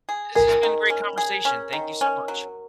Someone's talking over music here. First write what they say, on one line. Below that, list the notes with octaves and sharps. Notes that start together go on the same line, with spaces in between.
This has been a great conversation. Thank you so much.
G#4
G#4 A#4
D#3
C#4
G#4
C#4
D#3
C#4
F#3